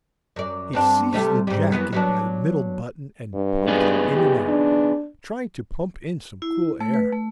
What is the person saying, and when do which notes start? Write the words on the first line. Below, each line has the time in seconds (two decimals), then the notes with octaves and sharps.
He seized the jacket by the middle button and pumped it in and out, trying to pump in some cool air.
0.36 F#2 D5
0.73 G2 C4 D4
1.13 C3 G3 A3
1.47 G#2 G3
1.72 F#2 E3 B3
1.93 F#3 B3 D4
3.35 G2
3.67 B3 D#4 G#4
4.15 G4
4.49 D4
6.42 E4
6.81 A3
6.94 B4
7.12 A3